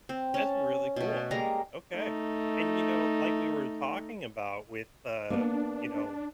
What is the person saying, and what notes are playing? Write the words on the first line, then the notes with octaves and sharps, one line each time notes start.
That's really cool. Okay, and, you know, like we were talking about with, um, you know,
C4
C#4 A5
B2 A3
G3 G#3 A#3 A#5
A3 D#4
A#3 B3 D4